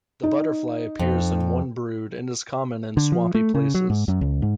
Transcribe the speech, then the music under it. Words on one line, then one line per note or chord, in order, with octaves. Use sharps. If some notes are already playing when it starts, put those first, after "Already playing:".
The butterfly appears in one brood and is common in swampy places.
D#4
F2
D3
F3
A3
C#3
F#3
G#2
F#2
C#2
G#2